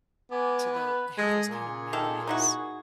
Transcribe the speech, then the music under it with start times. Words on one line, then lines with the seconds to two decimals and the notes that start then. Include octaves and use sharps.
to the have those kind of memories.
0.31 G#3 B3 G#5 D6
0.73 B4
1.18 G#3 A4 D#6
1.49 A#2 G#4
1.93 D#3 A4
2.27 D#4 E4 F#4